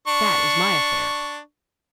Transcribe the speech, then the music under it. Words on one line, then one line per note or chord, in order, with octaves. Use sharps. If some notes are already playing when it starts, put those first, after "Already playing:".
'That is my affair.
D4 C#6